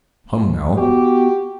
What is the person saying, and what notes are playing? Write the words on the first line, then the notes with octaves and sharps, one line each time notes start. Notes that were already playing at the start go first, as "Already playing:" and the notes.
Come, now!
B3 F#4 G4